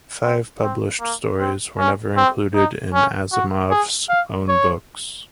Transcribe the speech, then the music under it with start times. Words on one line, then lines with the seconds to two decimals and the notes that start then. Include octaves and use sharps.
Five published stories were never included in Asimov's own books.
0.23 C4
0.62 C4
1.01 A#3
1.39 C4
1.78 C#4
2.16 C4
2.55 D#4
2.94 C#4
3.32 F#4
3.70 G#4
4.09 F5
4.48 C#5